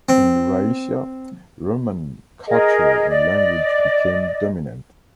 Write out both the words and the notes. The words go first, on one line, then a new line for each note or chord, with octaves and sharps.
In Raetia, Roman culture and language became dominant.
C4
G#4 A#4 D#5
D5 D#5